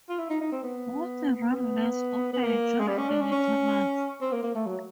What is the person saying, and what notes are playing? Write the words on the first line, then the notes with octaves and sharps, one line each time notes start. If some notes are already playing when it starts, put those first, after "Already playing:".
Both run less often during the winter months.
F4
E4
D#4
D#4
C4
B3
B3
B3
A#3
G#3
G3
C#4
D4
C#4
C#4
C4
A#3
A#3
A3
F#3